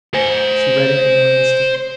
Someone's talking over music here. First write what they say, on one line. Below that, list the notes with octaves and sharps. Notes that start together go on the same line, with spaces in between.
She read it in one instant.
C5 G#5